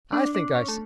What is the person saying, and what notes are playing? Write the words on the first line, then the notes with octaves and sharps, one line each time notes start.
I think I see.
D4
D4
C#4
A3